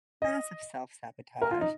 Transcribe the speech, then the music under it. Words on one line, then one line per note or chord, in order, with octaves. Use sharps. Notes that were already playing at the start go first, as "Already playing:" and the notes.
massive self-sabotage.
D#5
A#4
F4
D#4